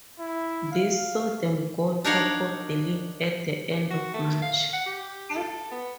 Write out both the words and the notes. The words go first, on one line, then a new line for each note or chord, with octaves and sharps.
This saw them go top of the league at the end of March.
E4
F5
D4 D#4 A#4 C#5 F5 F#5
F#4
A3
F5
F#5
G4
A4
B3